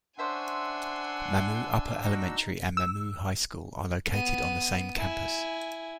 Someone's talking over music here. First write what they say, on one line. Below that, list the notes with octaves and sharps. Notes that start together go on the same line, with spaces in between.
Mamou Upper Elementary and Mamou High School are located on the same campus.
C#4 D4 C5 E5 F#5 G#5 C6 E6
D#4 F#4
E6
B3 D#7
E4 G#5